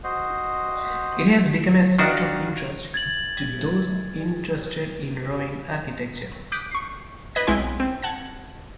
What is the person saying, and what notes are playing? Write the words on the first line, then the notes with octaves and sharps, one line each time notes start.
It has become a site of interest to those interested in ruined architecture.
F#4 C5 D#5
D#3 D4 F#4 F5
G#6 A6 F#7
D6 D#6 F#6 G6 B6 D7
C#6 C7
B4 D#5 G#6 A#6
B1 G#3 C4 E4 G#5 C6
C4
F#5 A5 G#6 A#6